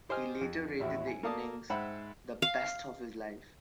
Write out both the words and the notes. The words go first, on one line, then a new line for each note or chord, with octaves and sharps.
He later rated the innings the "best of his life".
G4 C5 D#5 G#5 F6
F2
A1 D#2 E4 F#4
G#5
A#3 A4 D5 F5 A5 D#6
G#2 C5 E5 F#5 G5 B5
F5